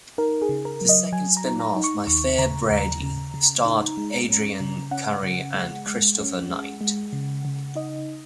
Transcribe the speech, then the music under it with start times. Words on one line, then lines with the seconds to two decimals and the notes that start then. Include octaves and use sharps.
The second spin-off, "My Fair Brady", starred Adrianne Curry and Christopher Knight.
0.18 D#4 A#4
0.42 G#4
0.49 C#3
0.65 A#4
0.81 F#3
0.89 D#5
1.12 F#3 G#5
1.37 A#5
1.44 D#4
1.60 A#5
1.76 D#4
1.84 C#6
2.07 D#2 C#6
2.39 C#3 A#5
2.71 D#2 A#5
3.02 C#3
3.34 C#3
3.65 D#4
3.97 G#3
4.29 C#4
4.60 C#3
4.91 C#4 F#5
5.23 C#3
5.54 G#3
5.87 G#3
6.19 C#4
6.50 G#3
6.81 G#3
7.13 C#3
7.45 C#3
7.75 D#4 D#5